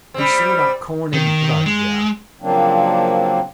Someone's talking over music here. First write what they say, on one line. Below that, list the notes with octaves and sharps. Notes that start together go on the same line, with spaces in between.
We sowed our corn in blood here.
G3 C4
D#3
G#3
C#3 F3 F#3 A#3 C4 D4